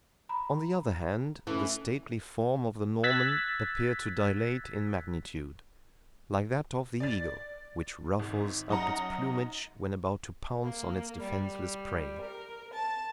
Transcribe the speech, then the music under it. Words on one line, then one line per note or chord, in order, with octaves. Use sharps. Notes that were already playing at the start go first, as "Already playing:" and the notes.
On the other hand, the stately form of the Norman appeared to dilate in magnitude, like that of the eagle, which ruffles up its plumage when about to pounce on its defenceless prey.
A#5 B5
E3 A3 C#4
E6 F#6 G#6 A6 B6
D5 A6
G#1
F#2 D#4 F#5 A#5
A#3
G3
A#4
A5